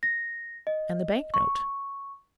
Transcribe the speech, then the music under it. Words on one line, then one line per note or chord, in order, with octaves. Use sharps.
"And the bank-note?"
A#6
D#5
C#6